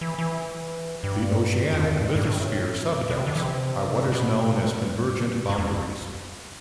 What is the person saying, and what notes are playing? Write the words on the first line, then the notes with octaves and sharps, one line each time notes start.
The oceanic lithosphere subducts at what are known as convergent boundaries.
E3
E3
G2
F2
G2
G2
A2
G2
A2
B2
C3
D3
E3
C3
B2
G2
F2